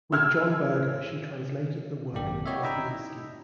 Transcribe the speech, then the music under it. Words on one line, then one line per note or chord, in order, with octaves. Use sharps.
With John Berger, she translated the work of Nella Bielski.
E6 F6 G#6
G#1 F#2 A#3 D4 G4
E4 F#4 G4 C#5 D#5 E5
D4 E4 D#5 E5 G5 A#5
D#4